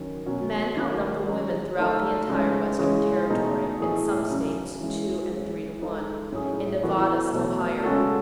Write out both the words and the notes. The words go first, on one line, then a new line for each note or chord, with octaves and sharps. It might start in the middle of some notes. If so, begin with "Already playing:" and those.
Men outnumber women throughout the entire western territory; in some states, two and three to one; in Nevada, still higher.
Already playing: D#3 F#3 C#4
B2 F#3 C#4 F#4
D#3 A3 C#4 F#4
F#3 C#4 G#4
F#3 A3 D#4 A4
C#3 G#3 C#4
C#3 E3 G#3 C#4 G#4
B2 A3 D#4 G#4
A2 E3 A3 D#4 G#4
C#3 F#3 C#4
E3 G#3 C#4 G#4
G#3 C#4 G#4
G#3 D#4 A4
A2 F#3 C#4 G#4
E3 B3 F#4 A4
B2 F#3 A3
C#3 G#3 C#4 F#4 A4